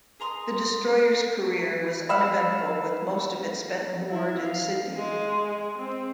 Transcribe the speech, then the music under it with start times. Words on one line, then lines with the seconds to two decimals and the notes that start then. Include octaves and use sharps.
The destroyer's career was uneventful, with most of it spent moored in Sydney.
0.20 G#4 A#5 C6 D#6
2.09 F5 F#5 B5 E6
4.10 E4
4.43 F5
4.95 G#3
5.47 G#3
5.78 C4